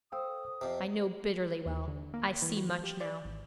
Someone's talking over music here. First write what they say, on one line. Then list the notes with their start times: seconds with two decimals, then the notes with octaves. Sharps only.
I know bitterly well; I see much now.
0.12 A4 C5 F5 G5 D#6 E6
0.61 F2 C3 C5
1.66 D#2
1.88 D3
2.14 A#3
2.42 E3
2.57 F#4
2.69 F3
2.84 G4
3.01 D5
3.25 G#1